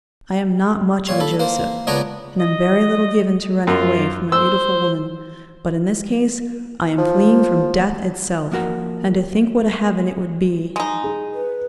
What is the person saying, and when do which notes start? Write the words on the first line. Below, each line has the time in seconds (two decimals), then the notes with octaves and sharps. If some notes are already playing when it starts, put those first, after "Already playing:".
I am not much of a Joseph, and am very little given to running away from a beautiful woman, but in this case I am fleeing from death itself. And to think what a heaven it would be.
1.07 A#2 C#5 C6
1.20 A4 B5
1.40 A#3 C5
1.87 C#2 B3 D4 C#5 G5 A#5
2.39 D#5
3.67 F#2 F4
4.32 C5 E6
6.98 F3
8.52 F3 A#3 F#4 A#4 F#5
10.76 G#3 D#4
11.04 G#4
11.34 B4